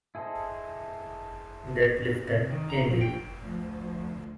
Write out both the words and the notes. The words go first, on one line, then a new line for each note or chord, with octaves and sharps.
"Get Lifted" indeed.
E4 G#4 A4 C5 D#5
C3
D#3
A#5
F3
G5
D2 F3